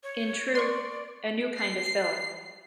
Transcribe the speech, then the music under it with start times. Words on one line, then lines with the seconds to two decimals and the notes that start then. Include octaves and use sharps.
In truth, a new kind of film.
0.03 C#5
0.55 D5 C6 C#6
1.57 C7